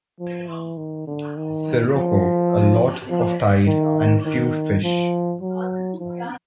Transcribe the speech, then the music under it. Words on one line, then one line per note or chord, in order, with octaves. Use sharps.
Sirocco, a lot of tide and few fish.
F3
E3
D#3
D3
D#3
F3
F3
D#3
D#3
F3
F#3
F3